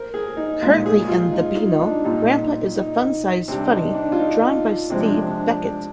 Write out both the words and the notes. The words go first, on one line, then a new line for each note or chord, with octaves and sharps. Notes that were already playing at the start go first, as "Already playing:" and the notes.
Currently in "The Beano", Grandpa is a "Funsize Funnie" drawn by Steve Beckett.
Already playing: A#4 C5
G#4
D#4
A#2 G#3 F4
G#4
F4
D#4
D#4
D4
A#2 G3 D#4
D#4
C3 G3 D4
D#4
D4
F4
D#4
C3 F3 G#3 D4
D4